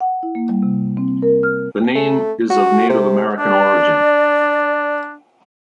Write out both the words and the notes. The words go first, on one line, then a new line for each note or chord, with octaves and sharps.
The name is of Native American origin.
F#5
E4
A#3
G3
C3
C4
A#4
F6
A3
F#4
C3
D4 D5